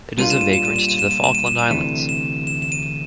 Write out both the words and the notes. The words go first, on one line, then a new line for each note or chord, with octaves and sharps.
It is a vagrant to the Falkland Islands.
A#2 G3 A#3 D4 F4 D#7
E7
D#7
E7
D#7
E7
D#7
E7
D#7
E7
D#7
E7
D#7
D2 C3 E3 A3 D#7
E7
E7
E7
D#7